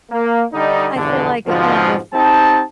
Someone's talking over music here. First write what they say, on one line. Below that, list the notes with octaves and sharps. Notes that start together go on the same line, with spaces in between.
I feel like, you know, if
A#3
D3 G3 D4 D#4
A#1 E2 G2 B2 D3
F2 G#2 B2 D3 F3
C4 D#4 G4 A5